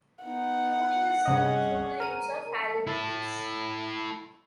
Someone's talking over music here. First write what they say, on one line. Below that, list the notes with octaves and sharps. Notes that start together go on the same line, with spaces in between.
Tuning is done through the use of Allen keys.
B3 D#4 F#5
G2 C3 C#4 G#4 D#5
A#4 D#7
E4 A4